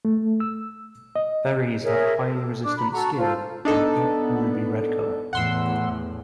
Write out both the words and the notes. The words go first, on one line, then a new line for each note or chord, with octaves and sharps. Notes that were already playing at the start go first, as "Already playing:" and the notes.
Berries have highly resistant skin and deep ruby red color.
A3
E6
D#5
G#4 A#4 C#5 E5
A4
D4 D6
A#5 B5
F#4 A4 A#5 C#6
F4 A4 C5
B3 D4 D#4 A4
E2 A2 F#5 C6 E6